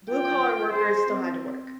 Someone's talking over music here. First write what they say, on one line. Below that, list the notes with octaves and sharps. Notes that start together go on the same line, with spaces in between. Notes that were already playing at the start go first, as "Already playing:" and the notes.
blue collar workers still had to work
F4 G5
G#4 C5
C4